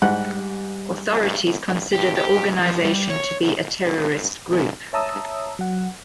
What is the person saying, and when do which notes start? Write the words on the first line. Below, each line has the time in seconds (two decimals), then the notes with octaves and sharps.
Authorities consider the organization to be a terrorist group.
0.02 G#2 G3 F#5 F#6
1.93 G4
2.16 G4
2.59 F3
2.84 G3
3.10 C#5
4.93 C#5 E5 A5 A#5 D#6 E6
5.59 F#3 F#5